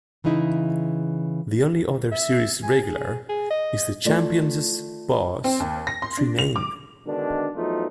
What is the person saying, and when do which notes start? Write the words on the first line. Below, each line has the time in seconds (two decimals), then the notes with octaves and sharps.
The only other series regular is the Champions' boss, Tremayne.
0.24 C#3 E3 G#3 D#4 E4
2.12 E5
2.63 G#5
2.83 G#4
3.29 G#4
3.51 D#5
4.05 A3 F4 D5
5.44 C4
5.60 D#2
5.87 A#6
6.02 C6
6.18 D4
6.39 F7
6.56 D6
7.07 B2 D3 D#3 G#3 D4
7.55 E2 F3 F#3 A3 D#4 F4